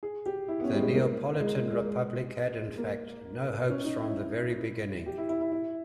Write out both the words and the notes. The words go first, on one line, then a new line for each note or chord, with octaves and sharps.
The Neapolitan Republic had, in fact, no hopes from the very beginning.
G#4
G4
E4
B3
C#4
G3
G#3
A#3
G#3
G#3
G#3
A#3
C#4
D#4
E4
G4
E4
E4
E4
E4